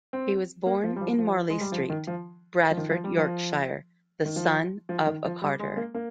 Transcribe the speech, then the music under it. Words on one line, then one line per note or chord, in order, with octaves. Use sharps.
He was born in Marley Street, Bradford, Yorkshire, the son of a carter.
C4
A#3
F3
G3
F3
F3
G#3
G3
F3
D#3
F3
F3
D#3
F3
G3
F3
D#3
F3
F3
D#3
F3
G3
G#3
G#3
A#3
A#3